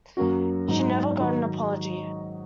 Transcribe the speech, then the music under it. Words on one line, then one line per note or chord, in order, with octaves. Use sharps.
She never got an apology.
F#2 F#3 A#3 C#4 F#4
G#2 F#3 D#4
D#3 F#3 D#4 F#4 D#5